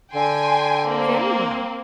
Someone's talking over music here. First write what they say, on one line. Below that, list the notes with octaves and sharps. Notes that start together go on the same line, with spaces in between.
"Very well."
D3 G5 G#5 C6
A#3 C4